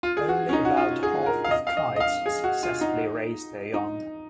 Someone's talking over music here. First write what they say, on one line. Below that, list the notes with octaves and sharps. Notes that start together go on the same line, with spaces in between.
Only about half of kites successfully raise their young.
F4
G#4
F#4
C#4
D#4
F#4
F4
G#4
A#4
F5
D#5
F5
D#5
D#5
F5
G#4
F#4
F4
D#4
D#4